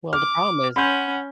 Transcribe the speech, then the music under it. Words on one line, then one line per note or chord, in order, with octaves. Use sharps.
Well, the problem is
D6 F6
C#4 F#5 B5 C6 G6